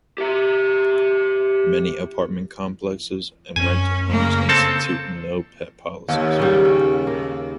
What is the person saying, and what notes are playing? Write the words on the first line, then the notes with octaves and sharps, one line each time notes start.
Many apartment complexes and rental homes institute no pet policies.
G4 E5
F#2 C#4 G#5
C#3 A#3
C4 A4 A5
D#2
C#3 G3
C#4
A#3